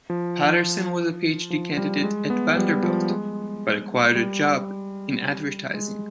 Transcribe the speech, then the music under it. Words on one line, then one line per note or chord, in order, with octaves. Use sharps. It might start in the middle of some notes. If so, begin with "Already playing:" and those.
Patterson was a Ph.D. candidate at Vanderbilt, but acquired a job in advertising.
F3
F3
F3
G3
G#3
B3
G3
F3
G#3
G3
G#3